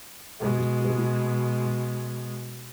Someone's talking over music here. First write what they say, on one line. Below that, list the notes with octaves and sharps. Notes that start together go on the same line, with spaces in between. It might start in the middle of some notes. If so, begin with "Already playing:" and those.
or there's always gonna be some
B2 G#3